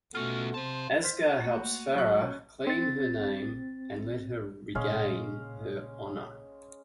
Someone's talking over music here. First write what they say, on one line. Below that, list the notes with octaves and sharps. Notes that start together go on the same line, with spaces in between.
Asghar helps Farah clean her name and let her regain her honor.
B2 A3 C#4 F4 F#4
C3 C5 F5 A5
C5 F6 B6
F#4 F#5
A3 A#3
A2 F#3 C#6 F#6
C#4
C4 A6
A#2 C#3 G#3 C#4 F5